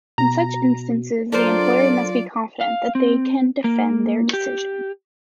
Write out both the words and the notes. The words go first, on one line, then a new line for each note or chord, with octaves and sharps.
In such instances, the employer must be confident that they can defend their decision.
B2 A#5
F#3 D4 F4 A4 A#4 C5 D5
F5
C4
A#3
G4